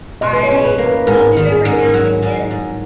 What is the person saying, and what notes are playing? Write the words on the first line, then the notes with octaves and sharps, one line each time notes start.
I still do every now and again,
B2 D#5
B4
C#5
C#4
B4
A#3
B4
G#2 A#4
A#4
D#3
G#4
G#2
A#4
F#3
G#2
G#2